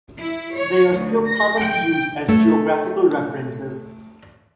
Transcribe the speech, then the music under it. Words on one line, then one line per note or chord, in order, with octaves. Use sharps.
They are still commonly used as geographical references.
E4
C#5
D2
A#6
G5
A3 A4 C#5 E5